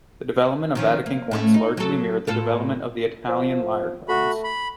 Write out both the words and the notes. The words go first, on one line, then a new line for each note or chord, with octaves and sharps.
The development of Vatican coins largely mirrored the development of the Italian lire coins.
D#3 F3 C#4
A#3
A2 A3 C#4
D#4
F#3 A4
A2 F4 A4
F3
A3 F#4 B5
B5